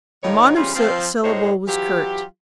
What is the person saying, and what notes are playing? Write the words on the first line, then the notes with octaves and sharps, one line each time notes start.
The monosyllable was curt.
A2 D#3 F3 D#4 C#5
C#3 E3 G3 C4 C#4 F4
F3 C4
D2 A2 G#3 D#4 C5 C#5
E3 F#3 F4 G4